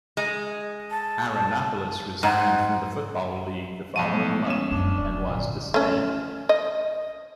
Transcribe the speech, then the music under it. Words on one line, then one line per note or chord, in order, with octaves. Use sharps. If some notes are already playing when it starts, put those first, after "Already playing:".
Ironopolis resigned from the Football League the following month and was disbanded.
G#3
A5
G#2 F#5
B1 F3 A5 D#7
G#3 B3
C#4 E7
D1 F#2 D4
E1 G#2 D5
A#2 D3
A3 C#4
D#5